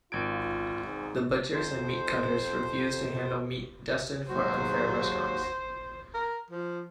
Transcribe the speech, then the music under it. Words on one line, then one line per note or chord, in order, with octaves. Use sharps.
The butchers and meat cutters refused to handle meat destined for unfair restaurants.
G#1 F4 G#6 D7
G#2
F2 C5
D#2 G#2 F#3 F#4 C5
A#4
F3